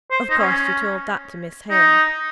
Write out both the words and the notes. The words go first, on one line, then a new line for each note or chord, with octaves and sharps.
'Of course you told that to Miss Hale?'
C5
D#4
C#4
D#4